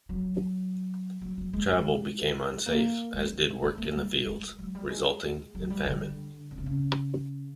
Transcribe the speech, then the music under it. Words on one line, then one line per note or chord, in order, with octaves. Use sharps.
Travel became unsafe, as did work in the fields, resulting in famine.
F#3
F#3
F#3
G#3
A#3
G#3
A3
A3
G3
G#3
F#3
G3
G#3
F#3
G3
D3
C#3
C3
C#3